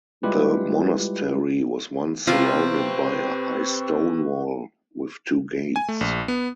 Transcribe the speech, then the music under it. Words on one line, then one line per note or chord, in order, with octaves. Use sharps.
The monastery was once surrounded by a high stone wall with two gates.
G3 G#3 E4 F4 G4 B4
C3 C4 F4 G4 B4 C#6
G#5
A3
A#1
B3